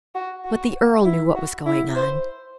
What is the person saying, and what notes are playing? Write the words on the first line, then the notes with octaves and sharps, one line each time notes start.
But the earl knew what was going on.
F#4
F#4
E4
F#4
E4
C5